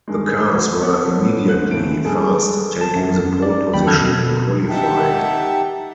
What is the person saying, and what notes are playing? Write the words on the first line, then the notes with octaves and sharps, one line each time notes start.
The cars were immediately fast, taking the pole position in qualifying.
G2 D#3 G#3
F#4 B4
B3 C4 A4 A#4 C#5
G#2 F#6
A2 C#3 D7
G3 G#3 G#4 A4
A5
F#2
D5
D#2 G5 B5
F2 D3 A4 F6 G6 G#6
B2
D#4 G4 E5 F#5 G5 A5